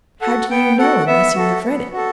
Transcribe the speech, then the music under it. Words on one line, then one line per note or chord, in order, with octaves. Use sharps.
"How do you know, unless you have read it?"
F#4 A4 F#5
B3 G5
F#4 A4 F#5
B3 E5
F#4 A4
B3
F#4 A4